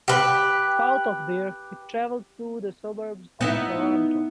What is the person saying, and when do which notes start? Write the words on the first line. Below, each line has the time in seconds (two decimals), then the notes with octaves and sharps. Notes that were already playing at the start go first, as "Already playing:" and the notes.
South of there, it travelled through the suburbs of Toronto.
0.08 G4 B4
3.41 B3 D#4 E4